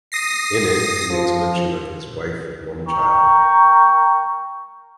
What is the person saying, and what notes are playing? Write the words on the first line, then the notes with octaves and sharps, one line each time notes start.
In it he makes mention of his wife and one child.
D#6 A#6 C7
F3
A#4 G5 A#5 C#6